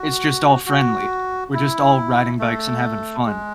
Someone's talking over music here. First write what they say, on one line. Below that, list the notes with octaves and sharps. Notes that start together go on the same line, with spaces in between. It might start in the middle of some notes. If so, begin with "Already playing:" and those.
It's just all friendly. We're just all riding bikes and having fun.
Already playing: F#4
F#4
E4
A3
G#3